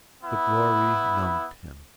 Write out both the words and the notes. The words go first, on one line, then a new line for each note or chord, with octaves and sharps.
The glory numbed him.
B3 E4